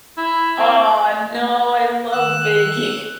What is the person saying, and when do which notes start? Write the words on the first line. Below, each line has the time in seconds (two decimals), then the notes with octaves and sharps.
Aw, no, I love baking.
0.17 E4
0.58 C4
2.12 D#3 E6 F#6